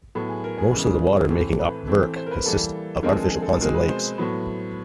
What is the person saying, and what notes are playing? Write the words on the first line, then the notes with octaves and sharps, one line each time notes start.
Most of the water making up Burke consists of artificial ponds and lakes.
A2 F#3 B3 A4
G#4
A#4
G#4
C#3 E3 G#3 B3 A#4
A2 E3 A3 C4
B4
E3 A3 C4
C5
A#4
B4
E3 G3 A#3 A4
D3 F3 G#3 C4 A#4
A4
G#4
A4
A4
B2 G#3 C4 A#4
B4
C5
A2 F#3 B3